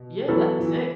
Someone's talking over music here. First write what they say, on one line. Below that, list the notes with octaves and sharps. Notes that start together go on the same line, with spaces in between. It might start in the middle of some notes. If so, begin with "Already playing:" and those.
Yeah, that's sick.
Already playing: B2
E3 F#3 B3 E4 A4
E3